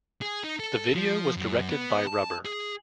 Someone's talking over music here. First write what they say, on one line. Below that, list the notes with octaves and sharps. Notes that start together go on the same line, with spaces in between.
The video was directed by Rubber.
G#4
D#4
A4
F3
F#2
B3
A5
G#4